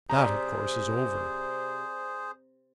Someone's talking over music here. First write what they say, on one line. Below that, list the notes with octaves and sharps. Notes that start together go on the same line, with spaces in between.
That, of course, is over.
C3 G#4 C5 D5 A#5